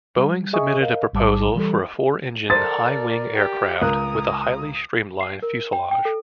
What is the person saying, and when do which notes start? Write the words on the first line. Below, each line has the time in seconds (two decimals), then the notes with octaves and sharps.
Boeing submitted a proposal for a four-engine, high-wing aircraft with a highly streamlined fuselage.
0.16 G3
0.53 G#4 D#5 E5 G#5 C#6 D#6
0.81 A#4 D#5 F5
1.13 A1 G#2 G3 A5 D6
1.55 E3 G3 A4
2.50 A4 A#4 C5 D5 A6
3.34 G4
3.81 C#2 A#4 A#5 D#6 F#6
5.21 C7
5.42 A#4
5.73 G5
5.91 G5
6.05 A4